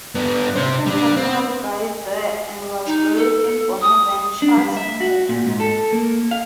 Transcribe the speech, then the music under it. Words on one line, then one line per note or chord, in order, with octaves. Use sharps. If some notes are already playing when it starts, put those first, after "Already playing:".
Captain Tattnall died there and was buried in Bonaventure Cemetery.
G2 B3
C3 C5
G3 D4
C4
D#4
A4
D#6
D4
G3
E5
F#4
A#2
G#2
A4
A#3
F5